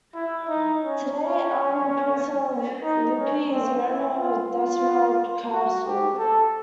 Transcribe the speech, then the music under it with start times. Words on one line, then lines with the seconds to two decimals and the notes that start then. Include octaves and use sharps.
Today, Armin, Prince of Lippe is the owner of Detmold Castle.
0.14 E4
0.49 D#4
0.82 C#4
1.15 C#4
2.83 D#4
3.17 C#4
3.50 C4
3.84 E4
4.17 F4
4.51 F4
5.51 F#4
5.85 G4
6.18 A4